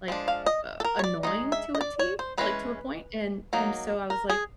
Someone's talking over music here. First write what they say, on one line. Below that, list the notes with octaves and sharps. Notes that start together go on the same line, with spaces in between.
like, uh, annoying to a tee, like, to a point, and and so I was like,
F3 G#3 D4
F5
D#5
A4
A#4
C#5
D5
G#3 C4 D#4 D#5
E5
D#5
D5
C#5
C5
E3 G#3 C#4 B4
F#3 A#3 D#4
A#4
G#4